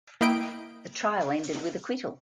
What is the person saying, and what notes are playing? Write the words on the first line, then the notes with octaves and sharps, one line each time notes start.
The trial ended with acquittal.
A#3 E4 D#5 G5 D7